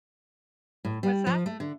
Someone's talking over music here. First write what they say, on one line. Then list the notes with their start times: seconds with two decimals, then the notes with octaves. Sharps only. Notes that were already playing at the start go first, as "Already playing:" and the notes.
What's that?
0.85 A2
1.03 G3
1.27 F3
1.46 A3
1.60 D3